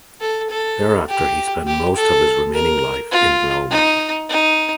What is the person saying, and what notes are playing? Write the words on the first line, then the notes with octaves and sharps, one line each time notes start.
Thereafter he spent most of his remaining life in Rome.
A4
A4
G4
G4
A4
A#4
F4
D#4
D#4